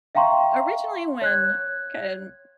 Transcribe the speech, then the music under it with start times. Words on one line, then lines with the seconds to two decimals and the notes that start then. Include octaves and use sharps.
originally when, kind of,
0.15 E5 F5 G5 A#5 C6 C#6
1.22 C#5 F#6 G#6